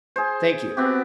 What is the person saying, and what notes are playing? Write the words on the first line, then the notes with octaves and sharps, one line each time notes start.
"Thank you."
G#4 C5
B3 C4 F#4 G4